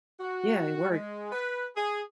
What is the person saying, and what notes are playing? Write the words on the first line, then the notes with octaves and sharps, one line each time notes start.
yeah, it worked,
F#4
G#3
B4
G#4